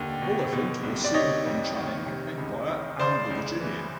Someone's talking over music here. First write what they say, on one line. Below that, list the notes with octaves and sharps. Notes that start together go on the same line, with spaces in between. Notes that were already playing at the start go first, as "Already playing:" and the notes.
Bulifant was seen on "Channing", "Empire", and "The Virginian".
Already playing: D#2 D3
B2
B2
C2
D5
C3 C#5 D#5
F2
D#3
C3
C#2
D#3
C#3 C5 D5
C#2
E3